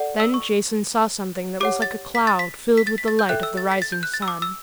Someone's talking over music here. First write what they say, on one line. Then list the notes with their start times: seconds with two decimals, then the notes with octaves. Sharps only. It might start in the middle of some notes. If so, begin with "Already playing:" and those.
Then Jason saw something that was like a cloud filled with the light of the rising sun.
Already playing: A4 D5 F#5
0.20 E6
0.34 C#6
1.60 G4 C#5 F#5 D6
1.82 A6
2.15 B6
2.27 A6
2.39 B6
2.78 B6
2.87 A6
2.98 B6
3.08 A6
3.19 G6
3.29 A4 E5 G5 F#6
3.43 E6
3.57 A6
3.72 B6
3.82 A6
3.92 G6
4.03 F#6
4.14 A6
4.22 E6
4.28 D6
4.42 E6